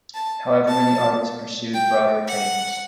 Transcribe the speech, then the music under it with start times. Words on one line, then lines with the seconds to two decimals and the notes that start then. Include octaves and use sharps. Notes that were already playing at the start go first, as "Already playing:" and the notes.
However many artists pursued broader themes.
0.14 A5
0.68 A5
1.74 G5
2.28 F#5